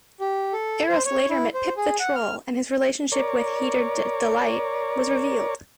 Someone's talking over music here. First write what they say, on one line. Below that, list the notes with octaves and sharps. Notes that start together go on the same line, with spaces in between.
Eros later met Pip the Troll, and his relationship with Heater Delight was revealed.
G4
A4
C5
C#5
E4
C5
G#4
F#5
F6
A#4 C#5 D5